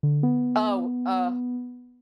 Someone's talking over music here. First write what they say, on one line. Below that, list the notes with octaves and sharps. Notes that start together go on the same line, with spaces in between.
Oh, uh,
D3
B3